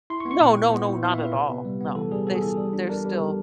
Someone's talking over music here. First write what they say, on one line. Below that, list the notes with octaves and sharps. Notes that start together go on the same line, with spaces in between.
No, no, no, not at all. No, they they're still
E4 C6
C#6
B3
C#6
A#2 G5
A#2
B3
E4
E4 F5
E5
A#2
B4
C3
B3
G3
B3
E3 A4
G3 G#4
B3 A4
G#4
E3 A4
G3
D4
D4 A#4
G3
D3